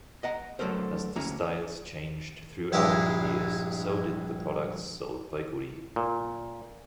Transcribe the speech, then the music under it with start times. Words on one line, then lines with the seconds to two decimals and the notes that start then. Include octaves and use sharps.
As the styles changed throughout the years, so did the products sold by Goody.
0.23 D#5 F#5 A#5
0.59 D3 F#3 A3 A4 A#4 C5
1.16 D2 A#3 C#4 A#5
2.73 A#1 G2 G#3 E4 G4
5.96 A#2